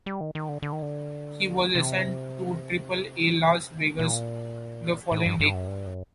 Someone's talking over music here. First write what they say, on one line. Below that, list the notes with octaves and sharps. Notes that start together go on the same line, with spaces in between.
He was assigned to Triple-A Las Vegas the following day.
G3
D#3
D#3
D3
D3
D#3
D3
C3
A#2
A2
G2
G2
F#2
G2
F#2